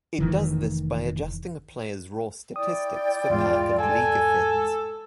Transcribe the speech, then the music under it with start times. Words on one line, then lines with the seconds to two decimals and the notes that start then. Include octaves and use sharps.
It does this by adjusting a player's raw statistics for park and league effects.
0.18 F1 D#3 E3
2.56 E4 D5 G5 D#6
3.30 E2 G#2 G#3 F4
3.79 A4 G#5